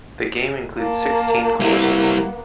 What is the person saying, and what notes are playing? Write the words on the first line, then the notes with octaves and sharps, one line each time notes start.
The game includes sixteen courses.
A#3 A5
G3 A#3 B3 E4